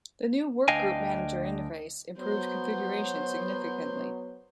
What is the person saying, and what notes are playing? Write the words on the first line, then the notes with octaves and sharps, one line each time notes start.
The new Workgroup Manager interface improved configuration significantly.
D2 D4 D#5 F5 G5 G#5
F#3 B3 C5